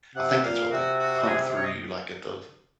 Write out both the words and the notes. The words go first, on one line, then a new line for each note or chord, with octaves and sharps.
I think that's what they pump through you, like, at the f
C3 F#5
A#2 F5
C3 F#4
F#4
F#4
G#4
C#5
D#5